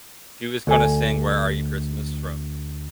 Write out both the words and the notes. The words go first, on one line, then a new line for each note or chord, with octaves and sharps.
She was gonna sing Where Are You Christmas from
D2 A4 G#5